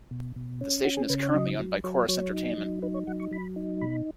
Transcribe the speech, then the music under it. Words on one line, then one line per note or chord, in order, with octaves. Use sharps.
The station is currently owned by Corus Entertainment.
B2
B2
C#4
C#4 F#4
G#4
C#3 B4
C#5
F#3 D#5
F#3
F#3 C#5
F#3 C#5
D#4
F#3
D#4 B4
C#5
F#3 F#5
C#6
F#3 B5
D#4
B2 B5